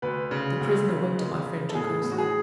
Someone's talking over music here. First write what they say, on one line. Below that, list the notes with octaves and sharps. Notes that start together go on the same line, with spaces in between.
The prisoner winked at my friend jocosely.
D2 B4
C#3
D2
C#3
G#3
C#3
A4
A2 G#4
A2
F#4
G#4